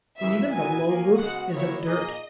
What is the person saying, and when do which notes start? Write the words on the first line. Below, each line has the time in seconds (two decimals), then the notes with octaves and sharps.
Even the low roof is of dirt.
0.19 F#2 C#3 E3 E5
0.52 A#2 F#3 B3 D#4 A#4 G#5
0.85 D#2 D#3 A#3
1.18 C#3 G#3 B3 F#4 F#5
1.51 D#2 D#3 F#3 A#3 E4 C#5
1.85 A#2 A#3 D#4 G#4 D#5